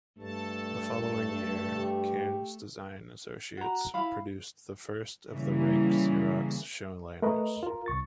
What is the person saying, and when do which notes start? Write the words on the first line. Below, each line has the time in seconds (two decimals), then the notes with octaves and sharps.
The following year Cairnes Design Associates produced the first of the Rank Xerox Showliners.
0.19 G2 A3 A4 A5
1.77 G4
3.57 F#4 A#5
3.94 E4 F5 B5
5.29 C#3 E3 G3 A#3
7.22 A3 A#4 B4 D#5
7.63 F4 A#4
7.86 C2 C#6 A6